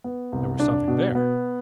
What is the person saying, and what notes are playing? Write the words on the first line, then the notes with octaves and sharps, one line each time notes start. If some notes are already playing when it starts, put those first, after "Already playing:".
There was something there.
B3
C2
D4
B2
B3